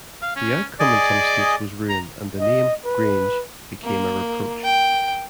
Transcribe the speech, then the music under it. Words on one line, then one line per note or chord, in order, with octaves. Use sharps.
The outcome in some states was ruin, and the name, Grange, became a reproach.
F5
C#4
G#4 D5 D#5 G#5
A#5
D#5
B4
A#3
G5